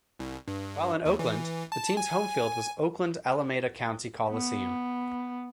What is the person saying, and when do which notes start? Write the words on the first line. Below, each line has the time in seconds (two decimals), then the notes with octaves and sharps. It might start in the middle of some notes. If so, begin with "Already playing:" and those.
While in Oakland, the team's home field was Oakland-Alameda County Coliseum.
0.19 C2
0.48 G2
1.05 D#2
1.19 E3
1.72 A5
1.97 G#5
4.30 B3